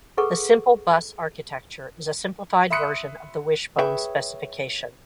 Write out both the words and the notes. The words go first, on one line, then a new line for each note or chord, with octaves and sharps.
The Simple Bus Architecture is a simplified version of the Wishbone specification.
G#4 A4 B4 F#5 C#6
E5 B5 C6 D#6 F#6 C#7
G#4 B4 C#5 E5 G5